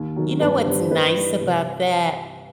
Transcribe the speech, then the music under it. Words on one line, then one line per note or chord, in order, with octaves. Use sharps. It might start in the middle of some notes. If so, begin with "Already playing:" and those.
you know, what's nice about that?
Already playing: D#2
D#3 F#3
G2 B4
D3 G3 C5
G2 B4
E3 G3
C2